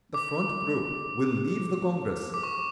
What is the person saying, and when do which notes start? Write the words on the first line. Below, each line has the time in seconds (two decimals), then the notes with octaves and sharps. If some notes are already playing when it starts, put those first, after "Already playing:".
The Front group will leave the Congress....
0.14 D6
2.34 D6
2.43 C#6